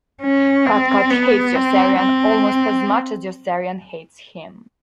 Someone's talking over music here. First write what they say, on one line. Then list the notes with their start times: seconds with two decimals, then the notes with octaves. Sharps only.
Cathcart hates Yossarian almost as much as Yossarian hates him.
0.22 C#4
0.66 C4
1.11 B3
1.55 C4
1.99 C4